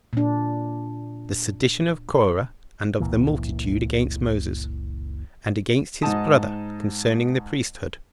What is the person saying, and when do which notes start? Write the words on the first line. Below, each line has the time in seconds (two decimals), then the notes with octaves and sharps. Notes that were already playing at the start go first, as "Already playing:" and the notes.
The Sedition Of Corah And Of The Multitude Against Moses, And Against His Brother, Concerning The Priesthood.
0.13 A#2 D4
3.00 F#1 C#2 A#2 E3
6.02 G#2 D#4 D#5 A5 D#6